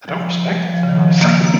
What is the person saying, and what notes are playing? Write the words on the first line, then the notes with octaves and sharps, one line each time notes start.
I don't respect it, honestly,
F3
F3
C#3
D#3
F3
A#3
A#3